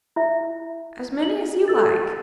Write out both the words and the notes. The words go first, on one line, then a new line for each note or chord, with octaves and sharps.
"As many as you like."
E4 E5
F#7
A4 E6 A6